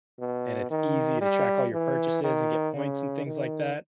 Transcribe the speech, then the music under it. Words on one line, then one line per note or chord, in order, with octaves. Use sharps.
and it's easy to track all your purchases and get points and things like that.
B2
D#3
G3
E3
D#3
C#3
D#3